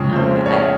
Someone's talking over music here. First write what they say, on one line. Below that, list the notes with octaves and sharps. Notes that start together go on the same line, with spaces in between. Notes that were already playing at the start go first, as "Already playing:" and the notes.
Okay. I
Already playing: F2 C#3 G#3
C5
C#5